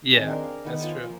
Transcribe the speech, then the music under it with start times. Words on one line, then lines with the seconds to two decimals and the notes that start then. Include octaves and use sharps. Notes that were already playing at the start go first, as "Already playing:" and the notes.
Yeah, that's true.
0.11 D#3 C4 G#4 C6
0.28 D4 A#4
0.44 F5
0.65 D#3 B3 B4
0.80 F4 C5 G#5 A5
1.03 F3 A#3